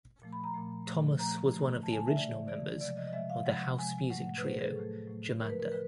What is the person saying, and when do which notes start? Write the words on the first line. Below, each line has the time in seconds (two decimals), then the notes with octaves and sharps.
Thomas was one of the original members of the house music trio, Jomanda.
0.22 A#2 F3 A3
0.33 B5
0.44 A#5
0.54 A#2 F3 A3
0.86 A#2 F3 A3
1.19 A#2 F3 A3 A#5
1.51 C#3 E3 A3
1.83 C#3 E3 A3 A5
1.92 G#5
2.00 A5
2.08 E5
2.16 C#3 E3 A3 D5
2.48 C#3 E3 A3 D5
2.81 C3 F3 G#3 D5
2.97 D#5
3.07 D#5
3.13 C3 F3 G#3 E5
3.30 F5
3.45 C3 F3 G#3 F#5
3.78 C3 F3 G#3 G#5
4.10 A2 F#3 A3 F#5
4.38 B4
4.43 A2 F#3 A3 C5
4.59 G#4
4.67 A4
4.75 A2 F#3 A3
5.07 A2 F#3 A3
5.40 D3 F3 A3 A#4
5.50 B4
5.60 A#4
5.72 D3 B4